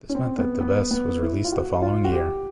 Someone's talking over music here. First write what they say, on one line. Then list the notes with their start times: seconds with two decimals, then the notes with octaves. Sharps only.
This meant that Debes was released the following year.
0.09 C#4
0.15 C4
0.38 B3
0.61 B3
0.91 B3
1.22 E4
1.45 F4
1.52 F#4
1.82 F4
2.05 F#4
2.12 G4